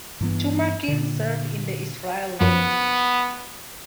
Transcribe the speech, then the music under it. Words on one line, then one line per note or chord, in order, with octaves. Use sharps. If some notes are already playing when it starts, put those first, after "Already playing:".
Tumarkin served in the Israeli Navy.
G2 E3 B3
A#2 D3
F#2 F3 B3